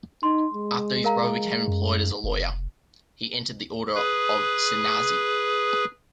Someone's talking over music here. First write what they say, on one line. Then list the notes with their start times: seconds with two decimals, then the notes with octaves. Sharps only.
After his brother became employed as a lawyer, he entered the order of Sannyasi.
0.23 D#4 C6
0.54 G#3
1.04 A#4 F5 A#5
1.68 F#2
2.24 F1
3.95 G#4 B4